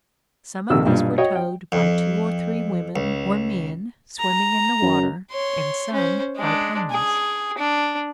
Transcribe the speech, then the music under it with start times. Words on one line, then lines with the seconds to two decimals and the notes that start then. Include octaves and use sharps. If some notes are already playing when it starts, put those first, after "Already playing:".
Some of these were towed by two or three women or men swimming in the water and some by ponies.
0.70 A#1 F2 C3 D#3 E6
0.85 B1 G2 A#2
1.18 F#4 C#5 D#5 G5
1.35 G5
1.72 F2
2.96 C#2
4.19 A#5
4.82 F#2
5.31 C#5 C6
5.93 C#4 C5
6.36 G#3 D4
6.91 G#4
7.58 D4